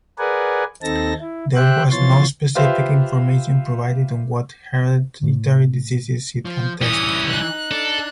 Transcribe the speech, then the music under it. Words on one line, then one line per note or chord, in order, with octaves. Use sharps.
There was no specific information provided on what hereditary diseases it can test for.
G#4 A#4 B4 D5 F#5 G#5
D#2 C4 D#4 A4 A5 A#6
E4
G4 C5 E5 G5 F#6
B2 E3 F3 C#5 C6 A6
F4 G4 B4 C5 E5 F5
A2
F3
E3 G3 C#4 D#6
D#4 F#6
D4 A4